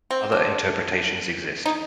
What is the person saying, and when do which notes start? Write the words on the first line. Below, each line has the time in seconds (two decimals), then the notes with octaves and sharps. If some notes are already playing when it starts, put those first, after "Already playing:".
Other interpretations exist.
0.11 C4
0.32 D4
1.66 D#4